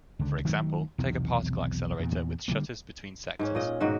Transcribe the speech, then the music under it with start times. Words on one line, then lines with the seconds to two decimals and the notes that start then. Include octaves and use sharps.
For example, take a particle accelerator with shutters between sectors.
0.19 C#2 D3
0.45 D#3 F#3 A3
0.98 B1 E2 C3 D#3
2.00 E2 A#2
2.48 D3 E3 G3 A#3
3.39 G#2 C#4
3.55 A#2 D#5
3.80 G#2 B2 D#3 F#4